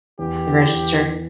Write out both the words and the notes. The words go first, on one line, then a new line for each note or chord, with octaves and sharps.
The register?
E2 G4
E2